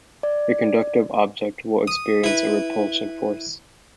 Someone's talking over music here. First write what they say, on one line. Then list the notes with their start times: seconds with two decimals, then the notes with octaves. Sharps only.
A conductive object will experience a repulsion force.
0.23 D5
1.88 D#6
2.24 E4 B4